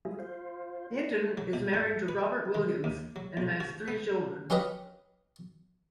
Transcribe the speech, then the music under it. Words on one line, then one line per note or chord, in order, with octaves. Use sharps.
Hinton is married to Robert Williams and has three children.
F#3 G3 A3 E4 F4 G#4
F4 C5
F#3
B2
G#2
B4
D#3
D#2
F#3
B1
F#4
B3
C#4 F4 G4 B4 D#5 B5